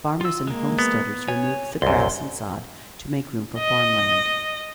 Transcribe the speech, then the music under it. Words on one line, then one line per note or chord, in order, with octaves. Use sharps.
Farmers and homesteaders removed the grass and sod to make room for farmland.
F4 E6
G#3 A#3
B3
C#5 G#5
C2 F#2 C6
D#5